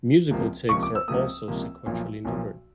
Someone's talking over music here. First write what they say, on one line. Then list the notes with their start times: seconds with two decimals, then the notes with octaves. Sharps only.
Musical takes are also sequentially numbered.
0.31 C#2 C3 F3 A#3
0.69 C#2 C3 F3 A#3 C#6
0.83 D6
0.95 E6
1.08 C#2 C3 F3 A#3 D#6
1.48 C#2 C3 F3 A#3
1.86 B1 A#2 F3 A#3
2.25 B1 A#2 F3 A#3